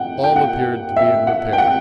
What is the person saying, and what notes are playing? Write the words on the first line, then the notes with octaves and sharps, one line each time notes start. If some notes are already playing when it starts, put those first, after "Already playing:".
All appeared to be in repair.
Already playing: F#5 G5
G5
F#5
E5
F#5
G5
F#5